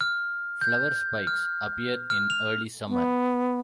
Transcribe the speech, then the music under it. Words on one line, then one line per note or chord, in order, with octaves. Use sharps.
Flower spikes appear in early summer.
F6
G6
F6
F6
F7
B3